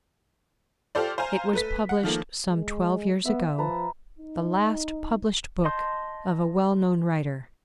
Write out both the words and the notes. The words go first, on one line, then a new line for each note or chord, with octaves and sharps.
It was published some twelve years ago, the last-published book of a well-known writer.
F4 G4 A4 C5 D5
C5 F5 G#5 A#5
A3 B4 B6
F#5
D#3 F3 A3 A#3
G#3
B3 E5
F3 B4 A5 A#5
D#4
D#5 A5 C6 G6